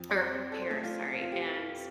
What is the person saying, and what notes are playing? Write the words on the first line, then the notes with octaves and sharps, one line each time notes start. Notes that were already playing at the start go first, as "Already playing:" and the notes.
or, Paris, sorry, and
Already playing: F2 F3
D5
C4 C5
A4
C5
A3 A4
F4
F4
G4